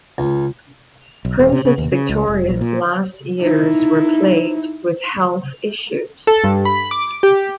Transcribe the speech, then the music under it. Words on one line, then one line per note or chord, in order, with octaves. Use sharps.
Princess Victoria's last years were plagued with health issues.
C#2
B1
D#1
C3
C#3
D#2
C#3
C#2
F1
A#1
A#2
D#4 E4
A4
G2
B5
D6
G4